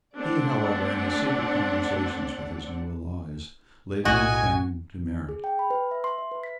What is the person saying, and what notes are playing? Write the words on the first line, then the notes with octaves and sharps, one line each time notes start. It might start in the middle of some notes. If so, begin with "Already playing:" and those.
He however, in his secret conversations with his new allies, laid no claim to merit.
A3 C4 D4 D5 F#5
B1 A2 A3 F#4 D#5 G#5
G#4
G5
B5
B4
E5
C6
E5
B4
B6